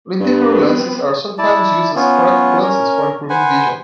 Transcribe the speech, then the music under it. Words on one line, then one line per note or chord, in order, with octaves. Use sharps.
Lenticular lenses are sometimes used as corrective lenses for improving vision.
G2 B3 C4 B4
E4 D5 A5
B3 C#4 F4
C#4 A#4
B4 C5 F#5 G#5